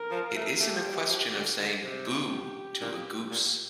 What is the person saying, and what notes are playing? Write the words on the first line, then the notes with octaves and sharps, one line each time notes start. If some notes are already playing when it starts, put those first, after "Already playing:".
It isn't a question of saying 'boo' to a goose.
Already playing: A#4
F3
A3
A3 G4
G3
F3
D3
D3
C3
G4
A#2
A#2